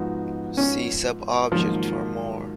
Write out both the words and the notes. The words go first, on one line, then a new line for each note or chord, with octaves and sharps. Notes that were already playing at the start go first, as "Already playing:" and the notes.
See subobject for more.
Already playing: G#2 F3 B3 D#4 F#4
C#4
G#2 D#3 F3 F#3 A#3 F4